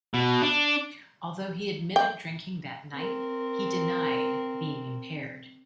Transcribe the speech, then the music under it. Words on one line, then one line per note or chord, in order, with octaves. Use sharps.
Although he admitted drinking that night, he denied being impaired.
B2
D4
G5
C4 A#4